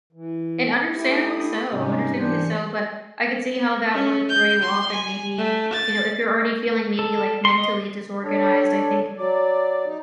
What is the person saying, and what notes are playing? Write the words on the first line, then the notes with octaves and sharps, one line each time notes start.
and understandably so, understandably so, but I could see how that would throw you off and maybe, you know, if you're already feeling maybe, like, mentally disorganized, I think
E3
A3 E4 G4 D#6
G#2 C3 G3 C#4 D#4 G4
E3 D4 G4 C5 G#5 C#7
C#4
G6
C6
G#5
A3
A6
A4
C6
D#5
D4 A4 C#5
F#3 D5
D#4